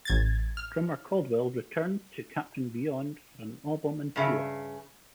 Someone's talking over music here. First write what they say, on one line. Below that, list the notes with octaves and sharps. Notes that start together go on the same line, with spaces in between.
Drummer Caldwell returned to Captain Beyond for an album and tour.
A1 G#6 A6
F6
G2 C#3 E5